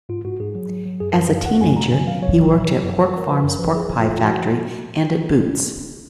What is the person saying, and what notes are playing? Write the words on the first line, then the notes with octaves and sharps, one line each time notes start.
As a teenager he worked at Pork Farms pork pie factory and at Boots.
G#2 F4
G#2 F#4
G#2 G#4
F#3
F#3
F#3
F#2 G#4
A#4
F#2
B4
F#2 F5
F#2 F#5
F#2 G#5
D#3 A#5
F#3 G#5
F#3 F5
F#3 C#5
F#3
A#2
F#3
F#2
F3
F3 A#4
F3 B4
F#2 A#4
F3 B4
F3 G#4
F3
F4
F2
F4
F3 F#4
F3